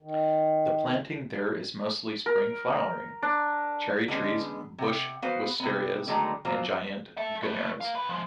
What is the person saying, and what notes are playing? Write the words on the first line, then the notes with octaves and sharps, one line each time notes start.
The planting there is mostly spring-flowering: cherry trees, bush wisterias and giant gunneras.
D#3
A#4
D4
D3 G#3 B3 C#4
C3 F#5
B3 F#4 B4 C5 F5
C3 B3
D3 D#3 F#3 G#3 A3 B3
B2 F#3 A#3 F4 C5
A4 E5
A3 B3
A#4 F5
C#2 B4
F3 G#3